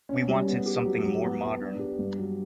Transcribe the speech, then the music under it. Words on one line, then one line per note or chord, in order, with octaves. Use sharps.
We wanted something more modern.
C#4
G3
B3
G4
F#3
F#3
B3
B3
D4
G4
G2
F#3